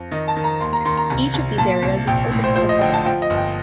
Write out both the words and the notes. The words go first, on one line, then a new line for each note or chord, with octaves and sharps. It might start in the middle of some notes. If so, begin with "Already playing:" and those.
Each of these areas is open to the public.
Already playing: F2
D#3 D#5
A5
D#3
A#5
D#2 C6
A#5
D#3 C6
A#5
C2
C2
A#2 A5
C2
A#1 G5
A2
C5
F3 C5
D#5
D3 G5
A5
F3 G5
D#5
G1
G5